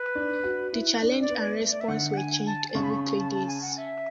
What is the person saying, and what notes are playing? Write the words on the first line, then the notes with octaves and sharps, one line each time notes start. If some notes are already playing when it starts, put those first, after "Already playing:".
The challenge and response were changed every three days.
Already playing: B4
D4
F#4
E4
D4
D5
B3
D5
A3
D5
E5
D3 F#5
F#5
G#5
A5
C#3 C#6
B5
C#6
C#6
A5
A5
G#5
F#5
E5